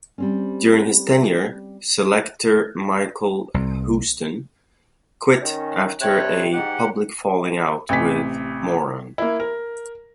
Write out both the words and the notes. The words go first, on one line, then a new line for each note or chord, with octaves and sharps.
During his tenure selector Michael Houston quit after a public falling out with Moran.
G3 C4 C#4
C2
D#3 C#4
G2 C3 C#5 G5 F#6
G#2 G4 F#5
A1 C3 G#5 B6
A#3 E4
A#4